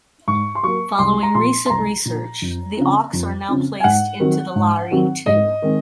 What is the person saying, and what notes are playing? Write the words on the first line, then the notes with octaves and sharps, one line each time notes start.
Following recent research, the auks are now placed into the Lari too.
G#2 C#6
C6
F#3 A#3 C#6
C2 C6
A#5
A#2 F3 C6
C6
C2 A#5
A#2 F3
F2
C#3 F3 C4
F2
C#3 F3 C4
G#5
G#2 F#5
D#3 F#3 C4
G#2
D#3 F#3 C4
G#2 D#5
D#3 G#3 C4